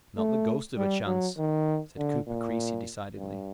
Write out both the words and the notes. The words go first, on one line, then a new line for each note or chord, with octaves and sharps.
"Not the ghost of a chance," said Cooper Creasy decidedly.
A3
G3
F#3
D#3
D3
A#2
G2